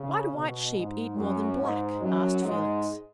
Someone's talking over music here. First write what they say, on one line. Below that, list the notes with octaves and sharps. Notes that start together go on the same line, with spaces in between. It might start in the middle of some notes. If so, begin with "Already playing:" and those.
"Why do white sheep eat more than black?" asked Felix.
Already playing: C#3
B2
G#2
F#2
G#2
F#2 F#3
G#2 G#3